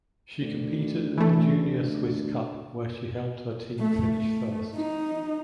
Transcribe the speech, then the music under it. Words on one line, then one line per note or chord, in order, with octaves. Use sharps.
She competed at the junior Swiss Cup where she helped her team finish first.
D2
E3 A3
A3
A3
D#4